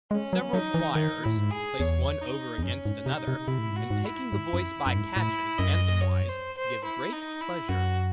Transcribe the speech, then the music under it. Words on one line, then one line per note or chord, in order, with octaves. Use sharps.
Several quires, placed one over against another, and taking the voice by catches, anthem-wise, give great pleasure.
G#3 C#4
F#3
F#3 D#4
E3
D#3 D#4
A2 E4
G#2
G#4
E2 C#5
D#4
E2
F#2 C#4
G#2
C3 D#4
C3
C3 E4
A2
G#2
A2 F#4
G#2
E4
G#2
F#2
F#2
G#2
A2 E4
F#2 D#5
C#5
C5
C5
E4
D#4
E4
F#2 F#4